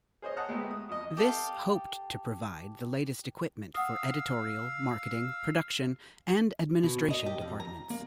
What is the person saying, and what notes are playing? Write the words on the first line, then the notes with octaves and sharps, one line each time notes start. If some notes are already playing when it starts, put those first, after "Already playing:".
This hoped to provide the latest equipment for editorial, marketing, production and administration departments.
G#4 C5 C#5 D#5
F#5 A5 A#5 D#6 F#6
G#3 A3 B3 G4
D#6
F2 D#5
G4 A4 D#5 F5
F5 F#5 D#6 E6
B2
D#5
G4
F2
A#5
A#3